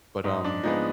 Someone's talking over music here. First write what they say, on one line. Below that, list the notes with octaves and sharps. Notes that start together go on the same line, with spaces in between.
but um,
G#2 D#4
D4
F3 G#3 B3 D#4